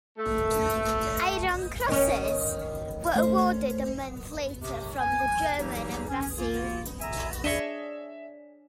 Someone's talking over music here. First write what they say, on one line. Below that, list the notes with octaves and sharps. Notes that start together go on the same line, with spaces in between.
Iron Crosses were awarded a month later from the German embassy.
A3
D#3 C#4
A3 C5
C3
G#5
E3 F#3 G3 A#3 D#4 G4
C#4
A#3 F4
B2 D3 E5 G#5 A#5 E6
D4 G#4 C#5 D#5 E5 B6 E7